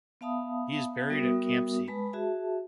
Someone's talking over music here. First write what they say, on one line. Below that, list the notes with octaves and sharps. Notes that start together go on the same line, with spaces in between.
He is buried at Campsie.
B3 E5 F5 A5 B5 D#6
G3 B3 F#4 A#4 E5 D#6
G#3 B4 A5 B5
F#4 G#4 E5 A5